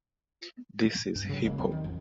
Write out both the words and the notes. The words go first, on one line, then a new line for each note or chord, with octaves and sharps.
This is hip-hop!
G2
C#3 F#3
E1 C#3 G#3 A#3
D#2 F#3 G3 C4
D#3
A1 F2